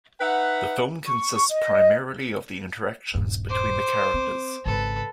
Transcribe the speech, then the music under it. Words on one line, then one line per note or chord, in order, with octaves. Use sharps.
The film consists primarily of the interactions between the characters.
D#4 B4 E5 F#5
C#6
D#5
D#1 G2
C5 D6
C4
G#1 C#3 A4 B4